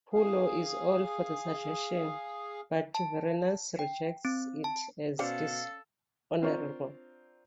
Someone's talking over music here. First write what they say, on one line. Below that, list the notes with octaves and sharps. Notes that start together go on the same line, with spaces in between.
Pullo is all for the suggestion, but Vorenus rejects it as dishonorable.
G#4 F5
A5
G5
C4
A5
B2 C#4 A4 C5 D5 F5 C#7
C4 D4 F4 A#4 C5 C#5